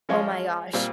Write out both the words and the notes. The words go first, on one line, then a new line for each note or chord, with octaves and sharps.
Oh my gosh.
F3 G#3 C#4 F4
A#2 G3 C4 F4